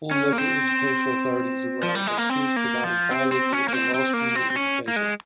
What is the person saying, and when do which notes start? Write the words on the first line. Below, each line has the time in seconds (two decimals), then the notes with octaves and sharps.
All local education authorities in Wales have schools providing bilingual or Welsh-medium education.
0.11 C#4
0.33 A#3
0.38 C4
1.83 F3
1.95 G3
2.07 G#3
2.18 A#3
2.30 C4
2.56 A#3
2.84 F3
3.11 C4
3.32 C4
3.53 C#4
3.68 A#3
3.73 C4
3.94 C4
4.14 A#3
4.35 C4
4.50 C4
4.56 C#4
4.88 A#3
4.96 G#3